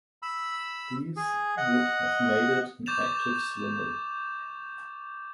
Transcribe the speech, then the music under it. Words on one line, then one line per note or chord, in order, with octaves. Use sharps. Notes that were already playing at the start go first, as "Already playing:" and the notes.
These would have made it an active swimmer.
B5 E6
G#4
D#5 F#5
C#6 D6 G6 A6 E7 F7